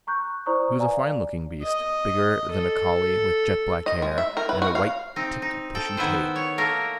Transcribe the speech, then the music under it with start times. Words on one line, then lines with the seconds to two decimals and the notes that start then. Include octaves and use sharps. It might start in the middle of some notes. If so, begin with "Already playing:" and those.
He was a fine-looking beast, bigger than a collie, with jet-black hair and a white-tipped bushy tail.
0.07 A#5 C#6 F#6 G6
0.46 E4 C5 D5 A#5 C#6 D#6
0.79 B4 D5 F5 G#5 A#5
1.04 D5
1.63 D#5
2.51 A4
3.86 D#5
4.02 G#3
4.18 E5
4.37 A#4
4.49 B4
4.62 F#4
4.75 F5
5.16 C4 D#4
5.42 D#4
5.75 A4 G5
5.97 D#3 B3 E4 B4 C5
6.36 C#5
6.58 A3 A#3 A#4